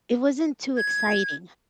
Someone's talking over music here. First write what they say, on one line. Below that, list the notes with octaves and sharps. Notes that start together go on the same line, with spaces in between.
it wasn't too exciting.
G#6